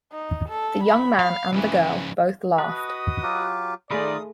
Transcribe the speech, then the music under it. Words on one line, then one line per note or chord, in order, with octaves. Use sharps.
The young man and the girl both laughed.
D#4
A4
B5
F5
C#3 E3 F3
F#4 B4 D#5 A5 D#6
F#3 F4 G4
D#3 A3 D#4 F4 G#4 D5 B5 D#6